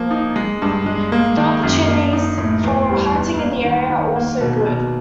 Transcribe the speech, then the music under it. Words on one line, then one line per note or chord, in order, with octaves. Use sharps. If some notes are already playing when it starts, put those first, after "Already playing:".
The opportunities for hunting in the area are also good.
Already playing: F3 A#3
D#4
G#3
G2
G#3
A#3
D#3
F#2
A#3
D#4
A2
E2
G3
E2
A#3
D#3
D#3
A#3
B2
B2